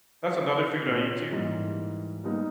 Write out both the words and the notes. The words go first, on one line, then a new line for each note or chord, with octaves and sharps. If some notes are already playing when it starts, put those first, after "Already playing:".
That's another food I eat too.
A#2 C#5
G#2 E3 G3 A#3
G3 G#3 A#3 B3 D#4